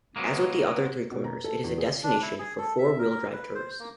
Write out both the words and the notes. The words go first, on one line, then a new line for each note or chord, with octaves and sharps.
As with the other three corners it is a destination for four-wheel-drive tourists.
B2 F3 F#3 G#3 A#3
B2
A#5
A4
E2
G#4
D4
E4
G#4
A4
E5
A#4
A#4
B4
C5
A#3